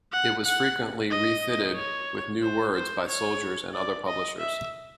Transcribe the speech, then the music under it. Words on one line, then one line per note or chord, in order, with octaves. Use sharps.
It was frequently refitted with new words by soldiers and other publishers.
F#5
F#5
D#5
C#5
C5
C5
C#5
D5
D#5
E5